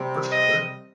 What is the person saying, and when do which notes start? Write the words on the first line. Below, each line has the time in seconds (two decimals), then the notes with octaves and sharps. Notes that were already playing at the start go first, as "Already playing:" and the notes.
For sure.
Already playing: C3 G3 C4
0.31 D#5